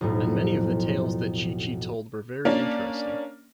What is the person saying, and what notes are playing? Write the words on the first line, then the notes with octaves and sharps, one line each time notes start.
And many of the tales that Chee-Chee told were very interesting.
B1 F2 A2
A#3 C#4 D4